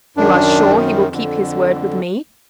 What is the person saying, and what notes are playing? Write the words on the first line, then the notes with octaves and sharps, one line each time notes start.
"You are sure he will keep his word with me?"
F#2 D#3 D4
F2 D3